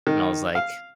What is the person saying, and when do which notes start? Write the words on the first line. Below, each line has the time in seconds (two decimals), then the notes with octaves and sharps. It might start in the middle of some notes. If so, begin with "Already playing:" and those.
and I was like
0.07 D#3
0.55 F5